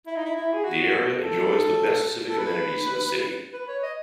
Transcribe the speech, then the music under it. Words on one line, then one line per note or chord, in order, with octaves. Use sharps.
The area enjoys the best civic amenities in the city.
E4
D#4
E4
E4
G#4
F#4
A4
A4
B4
B4
C#5
D#5